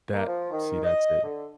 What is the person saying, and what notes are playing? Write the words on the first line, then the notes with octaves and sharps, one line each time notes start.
That see, that's it.
A#3
F3
D#3
D#5
D3